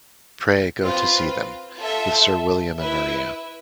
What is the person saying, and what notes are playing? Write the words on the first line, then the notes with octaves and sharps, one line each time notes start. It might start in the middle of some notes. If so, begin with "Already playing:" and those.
Pray go to see them, with Sir William and Maria.
C4 F4 B4
F4 A4 E5 A5
E4 B4 E5